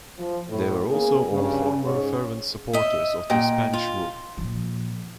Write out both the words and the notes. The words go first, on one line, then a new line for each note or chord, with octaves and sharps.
They were also all former fervent supporters of the Spanish rule.
F3
A2
C#3 A#3 B3 G#4
G2 C#3
G#2 C#4 G#4 C#5
D#5 E5
A#2 D#5 G5
F4
A#2 F3